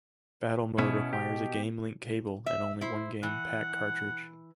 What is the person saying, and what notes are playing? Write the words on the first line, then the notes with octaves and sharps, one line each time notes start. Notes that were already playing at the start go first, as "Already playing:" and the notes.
Battle mode requires a Game Link Cable and only one game pak cartridge.
B2 B3 C#4 E4
G4
E5
E4 C5
E3 F#5